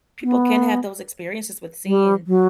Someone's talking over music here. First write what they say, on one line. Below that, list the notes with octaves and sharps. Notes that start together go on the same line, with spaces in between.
people can have those experiences with seeing
B3
G3
F#3